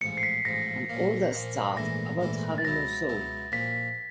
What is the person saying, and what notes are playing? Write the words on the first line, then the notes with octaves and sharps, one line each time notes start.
And all that stuff about having no soul.
A1 G#2 F3 C#7
C7
B6
A1 G#2 F3 A#6
A#2 F3 A#3
A#2 F3 A#3
A#1 G#2 E3 A3 D4 A#6
A#1 G#2 E3 A3 D4
A6
C#2 B2 F#3 B3 E4 A#6
C#2 B2 F#3 B3 E4
A#2 F3 A#3 B6